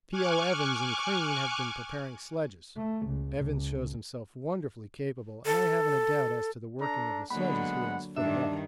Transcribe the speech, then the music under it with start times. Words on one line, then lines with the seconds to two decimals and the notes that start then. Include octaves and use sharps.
P.O. Evans and Crean have been preparing sledges; Evans shows himself wonderfully capable, and I haven't a doubt as to the working of the sledges he has fitted up.
0.11 G#5 C#6 D6 F6 F#6 G#6
2.77 A3
3.06 C#2
3.39 C#2
5.46 A4
6.80 D4 A4 A#5
7.30 D3 F#3 G#3 A#3 B3 F#5 B5
8.16 G2 D#3 D4 E5